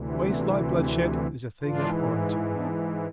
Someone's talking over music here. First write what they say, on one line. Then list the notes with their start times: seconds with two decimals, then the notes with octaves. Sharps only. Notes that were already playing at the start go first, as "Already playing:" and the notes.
Waste, like bloodshed, is a thing abhorrent to me.
Already playing: D2 C3 E3
0.28 B3 D4
0.72 C4 E4
1.62 G#2 E3 D4 F4
2.53 B3 D4